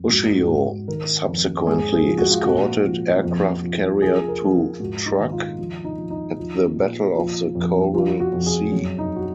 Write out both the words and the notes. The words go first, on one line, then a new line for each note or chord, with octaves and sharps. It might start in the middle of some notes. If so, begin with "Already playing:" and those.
"Ushio" subsequently escorted aircraft carrier to Truk, at the Battle of the Coral Sea.
Already playing: F2
G#2 F#4
F#4
G#2
D#3 A#4
F2
G#2 G#4
G#4
F3
F#4
F4
A#2 F#4
F3
F2
F3
F3 G#4
A#4
F3
G#4
G#2 F#4
D#4
D#3
F4
F3
D#4
F3
D#4
F3
A#2
F3
F2
F3 F4
F#4
F2
G#4
F#2
D#4
F#4